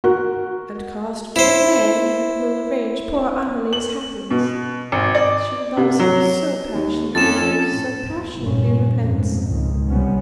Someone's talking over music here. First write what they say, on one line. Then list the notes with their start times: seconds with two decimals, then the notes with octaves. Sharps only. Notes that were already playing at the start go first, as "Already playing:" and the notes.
And cost what it may, I will arrange poor Amelie's happiness, she loves him so passionately, and so passionately repents.
0.04 F#4 A#4
1.36 E4 C5
3.73 F#7
4.30 B2
4.92 G#1
5.15 D5
5.77 C3
5.99 F#3
6.74 D#2
7.15 F2 C#4 A4 A6 E7
7.71 A2
8.07 E2
8.38 F1 G2 A#2 C#4
9.03 F2 G#2 B2
9.46 C#2 D#3
9.88 C2 F3 G3 B3 C#4